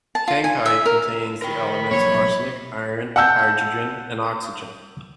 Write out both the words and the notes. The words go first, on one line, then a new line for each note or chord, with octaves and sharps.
Kankite contains the elements arsenic, iron, hydrogen and oxygen.
A5
F4
G#5
E5
A#4
A#4 G5 B5
B1 A#3 C#5
F#5 A5 E6 G6